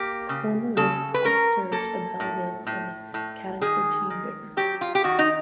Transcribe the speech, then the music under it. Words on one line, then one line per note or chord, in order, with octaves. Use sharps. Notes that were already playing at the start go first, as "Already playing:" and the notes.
The former river port served Abbeville on the Chattahoochee River.
Already playing: A#3 G4
C#3
C#3 A4
B4
C#4 A#4
A#3 A4
A2
A2
A2
D#3 G#4
D#3
F#3 G4
F4
G4
D#3 F#4
D#4